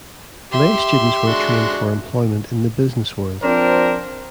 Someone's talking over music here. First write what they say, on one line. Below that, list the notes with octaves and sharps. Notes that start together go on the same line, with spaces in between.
Lay students were trained for employment in the business world.
G4 E5 C6
G#3 D4 F#4
F3 C4 D4 A#4 C5